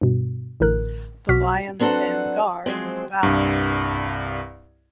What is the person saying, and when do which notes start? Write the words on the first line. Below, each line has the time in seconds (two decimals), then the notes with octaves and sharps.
The lions stand guard with valor!
0.01 G2 B2
0.60 A1 A2 D3 A#4 F#6
1.29 B1 B2 F#4 D6 F6 B6
1.79 F#3 C4 D4 A4 B4 F#5
2.66 F3 F#3 G#3 C4
3.23 C2 G2